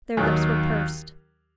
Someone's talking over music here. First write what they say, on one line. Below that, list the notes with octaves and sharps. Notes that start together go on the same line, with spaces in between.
Their lips were pursed.
D#2 D#3 F#3